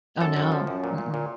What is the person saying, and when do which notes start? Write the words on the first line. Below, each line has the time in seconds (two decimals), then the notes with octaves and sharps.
Oh, no, mm-mm.
0.21 F#2 A4
0.36 F#2
0.52 F3
0.67 F#2
0.84 A#2
0.98 A#2
1.14 A#2